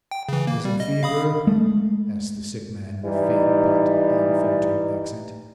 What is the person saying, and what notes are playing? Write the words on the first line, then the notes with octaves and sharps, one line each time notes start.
"Is it fever?" asked the sick man, in a faint but unfaltering accent.
G5
C#3 E3
A#3
G3
D#5
F5 B5 D#6
G#3 A3
E3 G3 D#4